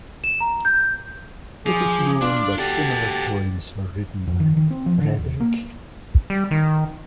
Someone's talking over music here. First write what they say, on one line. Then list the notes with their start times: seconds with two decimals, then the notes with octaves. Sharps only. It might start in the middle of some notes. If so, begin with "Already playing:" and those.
It is known that similar poems were written by Frederick.
0.24 E7
0.40 A#5
0.65 G6
1.66 F3 G#4 D6
2.21 D4 F4
2.58 F#4 G4 A4 A6
3.05 G4
4.27 F2
4.40 D#3
4.57 D#3
4.71 C4
4.86 F3
5.01 D3
5.17 D#1
5.40 A#3
6.30 G3
6.51 D#3